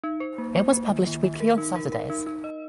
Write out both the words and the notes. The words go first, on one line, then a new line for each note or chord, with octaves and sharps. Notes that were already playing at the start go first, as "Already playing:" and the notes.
It was published weekly on Saturdays.
D#4
C5
A#3
C5
A#3
D#3
D#3
D#3
A#4
D#4
A#4
A#4
D#4
D#4
D#5